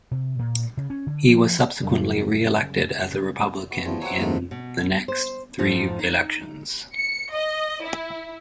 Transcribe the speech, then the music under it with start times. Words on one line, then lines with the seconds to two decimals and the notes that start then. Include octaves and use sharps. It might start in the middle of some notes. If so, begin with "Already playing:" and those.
He was subsequently re-elected as a Republican in the next three elections.
0.11 C3
0.39 A#2
0.77 C#3
0.90 C#4
1.07 D3
1.28 F3
1.82 F#2 C#3 G3
3.71 B3 F#4
3.85 E2 F3 G3 E4
4.02 F#3 C4 C#5 F#5 E6
4.19 D#2 G#2 A3 B4 F5 A5
4.51 B2
5.08 C5
5.58 F2 G#2 F3 A3 D#4
5.99 D#4
6.94 C#7
7.31 D#5
7.83 E4